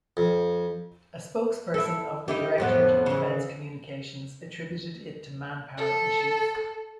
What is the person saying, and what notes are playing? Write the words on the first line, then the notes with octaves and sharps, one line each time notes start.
A spokesperson of the Directorate of Defense Communications attributed it to manpower issues.
F2
E4 A4
D#4 E4 G4
F2 A2 B3
C#3 E3
A4